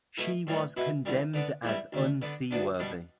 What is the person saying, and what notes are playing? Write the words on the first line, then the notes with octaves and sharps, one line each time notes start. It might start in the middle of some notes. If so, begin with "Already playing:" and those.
She was condemned as unseaworthy.
B2 A3 E4
A2 E3 G3 B3
B2 B3 E4
E2 D3 G3
D3 B3 D4
E2 E3 G3 E4
D2 D3 A3
D3 B3 D4
D2 D3 B3 D4
B2 G3 D4